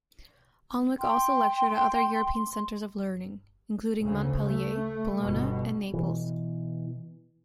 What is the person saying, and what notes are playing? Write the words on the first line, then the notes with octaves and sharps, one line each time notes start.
Alnwick also lectured at other European centres of learning, including Montpellier, Bologna and Naples.
G5 C6
D2 C#3
A3
G1 B2
B2 E3